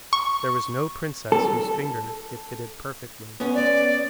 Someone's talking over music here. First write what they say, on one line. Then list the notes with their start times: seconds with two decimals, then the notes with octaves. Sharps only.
There was no princess whose finger it fitted perfectly.
0.13 C#6
1.32 A4
3.40 B3 C#4
3.54 D5